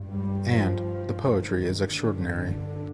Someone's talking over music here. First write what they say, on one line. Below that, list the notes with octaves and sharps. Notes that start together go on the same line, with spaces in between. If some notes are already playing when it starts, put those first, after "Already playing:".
And, the poetry is extraordinary.
Already playing: G2
G3
F3
G2 D#3
D3
D3